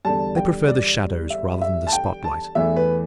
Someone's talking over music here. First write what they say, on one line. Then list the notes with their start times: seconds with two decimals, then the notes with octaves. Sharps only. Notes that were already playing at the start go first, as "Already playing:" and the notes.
They prefer the shadows rather than the spotlight.
0.05 E2 D3 G3 A5
0.36 G5
0.67 D5
1.30 E5
1.61 E5
1.87 A5
1.93 G5
2.24 A5
2.55 E2 E3 A3 E5
2.76 B4